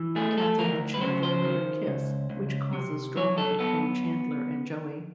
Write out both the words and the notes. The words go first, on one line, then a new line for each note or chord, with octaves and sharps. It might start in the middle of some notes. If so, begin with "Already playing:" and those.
Kathy and Chandler later kiss, which causes drama between Chandler and Joey.
Already playing: E3
A3 G#4
A4
D2 A#4
B4
C#3 C5
C5
D#3
C#2
C#2
C3
F#3 C#5
A4
B3 A4